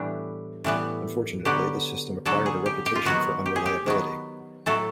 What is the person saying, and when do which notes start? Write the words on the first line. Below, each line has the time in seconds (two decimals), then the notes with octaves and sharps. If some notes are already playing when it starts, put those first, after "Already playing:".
Unfortunately, the system acquired a reputation for unreliability.
Already playing: A2 E3 G3 B3 D4
0.64 A2 E3 G3 B3
1.45 D3 F#3 B3 G4
2.25 D3 F#3 B3 A4
2.46 G#4
2.66 G4
2.86 G4
2.95 F4
3.05 D#3 F#3 B3 F#4
3.46 G4
3.56 G#4
3.66 G4
3.86 D#3 F#3 B3
4.66 A2 F#3 A3 A4